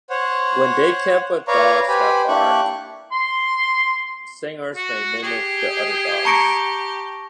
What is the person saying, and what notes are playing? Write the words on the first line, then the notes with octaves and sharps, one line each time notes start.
When they are kept with dogs that bark, singers may mimic the other dogs.
C5 C#5 F#5
B4 C#5 D5 F5 A#5 C#6
G4 B4 C5 G#5 B5
A#3 D4 E4 G4 C#6 F#6
C6
F#4
G4 G#4
A5 A#5 C#6 A#6 C#7 D7